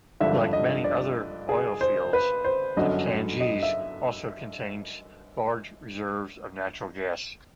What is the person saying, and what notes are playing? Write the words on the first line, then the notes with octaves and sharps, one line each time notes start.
Like many other oil fields, the Tengiz also contains large reserves of natural gas.
G#1 G2 D3 F3 E5
D#5
D5
G#4
C5
B4
C5
G1 F#2 D3 F#3 D#5
D#5
E5